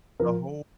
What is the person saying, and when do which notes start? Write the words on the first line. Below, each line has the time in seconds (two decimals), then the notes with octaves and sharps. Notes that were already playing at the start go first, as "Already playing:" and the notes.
the whole
0.20 F3 A#4